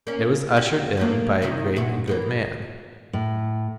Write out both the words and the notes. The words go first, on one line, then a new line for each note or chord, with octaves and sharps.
It was ushered in by a great and good man.
A#3 C#4
F#4 G4
F3 A3 A#3
C3 D#3 E4
A#2 E4 F#4
E3 A#3 B3
A2